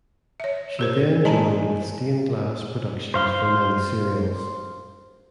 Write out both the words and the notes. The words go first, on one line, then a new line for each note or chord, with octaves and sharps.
She then joined with Stained Glass Productions for many serials.
C#5 E5
G4 A#4 C5
G#3 D5 A5 A#5
C5 F5 C6